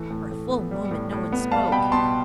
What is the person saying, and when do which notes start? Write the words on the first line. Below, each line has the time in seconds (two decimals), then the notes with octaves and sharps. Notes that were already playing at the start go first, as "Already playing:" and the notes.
For a full moment no one spoke.
Already playing: E3 A3
0.10 A2
0.32 A2
0.51 B3
0.71 G3
0.91 A2
1.12 A2
1.32 B3
1.52 G3 F5 A5
1.72 B2 G5 B5
1.92 B2 A5 C6